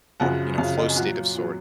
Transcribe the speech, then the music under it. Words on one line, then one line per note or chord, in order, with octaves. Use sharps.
uh, you know, flow state of sort
F#2 C#3 F3 F#5
F#2 C#3 F3 F5
D#5
G#5
A#2 F#3 F#5
A#2 F#3